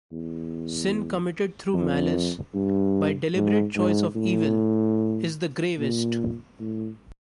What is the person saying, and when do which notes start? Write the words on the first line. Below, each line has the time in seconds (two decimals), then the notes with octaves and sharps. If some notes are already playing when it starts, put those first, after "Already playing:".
Sin committed through malice, by deliberate choice of evil, is the gravest.
0.12 E2
1.74 F2
2.54 G2
3.35 G#2
3.76 G#2
4.16 A2
5.78 A#2
6.60 A2